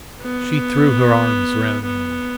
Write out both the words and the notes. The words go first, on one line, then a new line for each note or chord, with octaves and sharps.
She threw her arms round him.
B3
B3